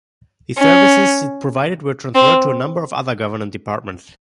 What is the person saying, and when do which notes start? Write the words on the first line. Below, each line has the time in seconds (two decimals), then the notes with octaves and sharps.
The services it provided were transferred to a number of other government departments.
0.59 C#4
2.15 C4